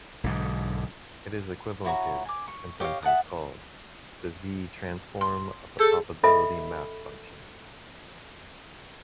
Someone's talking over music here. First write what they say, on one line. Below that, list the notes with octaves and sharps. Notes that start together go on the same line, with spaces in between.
It is equivalent to, and sometimes called, the z-transform of the probability mass function.
B1 G#2 D3
E4 F#4 C#5 A#5
G#5 D6
C#6
G4 C#5 D#5 F5
E5 F#5 A5 D#6
C6
G#4 A4 G6
A4 D#5 E5 B5